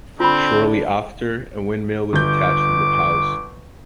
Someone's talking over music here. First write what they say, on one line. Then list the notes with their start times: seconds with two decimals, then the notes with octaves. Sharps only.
Shortly after, a windmill was attached to the house.
0.20 D3 C4 F4 B5
2.13 G1 D6 G6